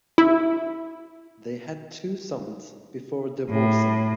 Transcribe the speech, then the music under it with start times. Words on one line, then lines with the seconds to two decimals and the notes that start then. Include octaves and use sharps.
They had two sons before divorcing.
0.18 E4
3.50 A2